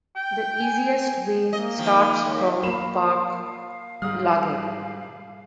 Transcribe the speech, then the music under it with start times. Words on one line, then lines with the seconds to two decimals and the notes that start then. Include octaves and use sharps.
The easiest way starts from Park Lage.
0.16 G5
0.60 G#5
1.53 A#3 D#5
1.78 D#3 F3
2.25 D#2 A#3
2.63 A#3 A#4 F5 B5 E7
4.02 G#2 G3 D#6 F6